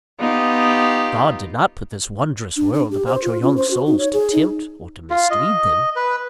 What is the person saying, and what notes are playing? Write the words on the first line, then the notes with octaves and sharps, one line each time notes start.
God did not put this wondrous world about your young souls to tempt or to mislead them.
B3 D#4 F4 G4
D4
D4
G4
C5
F4
C#4
C5
F#4
D#4
C#5
G#4
D#4
F4
D#5
B4